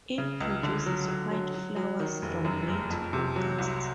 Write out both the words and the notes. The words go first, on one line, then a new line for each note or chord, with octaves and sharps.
It produces white flowers from May to August.
C#3
C#2
D3
F#3
F#3
F#3
F#3
F#3
D#3
F1
F#2
F#1
F2
C3
F#3
C2